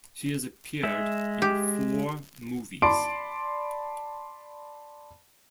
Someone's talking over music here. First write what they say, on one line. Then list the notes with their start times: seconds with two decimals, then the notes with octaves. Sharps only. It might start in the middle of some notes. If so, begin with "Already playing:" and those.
She has appeared in four movies.
0.83 G#3 E5
1.42 G4
2.82 D5 A5 B5 C6 D6 D7